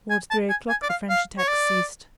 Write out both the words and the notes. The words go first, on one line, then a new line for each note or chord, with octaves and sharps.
Toward three o'clock the French attacks ceased.
G#5
A5
G#5
G#5
D5
F5
F5
C#5
D5